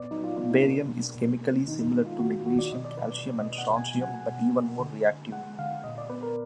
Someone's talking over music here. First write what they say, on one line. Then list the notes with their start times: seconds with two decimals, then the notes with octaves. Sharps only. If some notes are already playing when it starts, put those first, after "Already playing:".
Barium is chemically similar to magnesium, calcium, and strontium, but even more reactive.
Already playing: A#2 B3 B4 D5
0.11 F#3 D#4
0.24 F4
0.37 B3 F4
0.50 D#4
0.63 A#3 D4
0.90 B2
1.15 B2
1.41 A#3
1.67 D#3 D#4
1.81 D#4
1.94 G#3
2.06 F4
2.19 D#3 F#4
2.33 F4
2.45 D#3 F#4
2.59 D5
2.72 B2 D#5
2.85 D5
2.97 B2 B4
3.10 D5
3.24 B2
3.41 D#5
3.50 B2
3.58 F#5
3.75 B2 G#5
3.89 G#5
4.02 F#3 F#5
4.15 G#5
4.28 B2
4.54 B2
4.79 D3
5.06 D3
5.32 G#3 F#5
5.58 D3 F5
5.84 A#2 D#5
5.98 D5
6.10 B3 B4
6.23 A#4